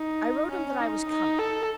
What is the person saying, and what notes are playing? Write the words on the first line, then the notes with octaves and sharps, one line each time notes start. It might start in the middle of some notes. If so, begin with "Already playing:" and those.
I wrote him that I was coming.
Already playing: D#4
C#4
D#4
D#4
A4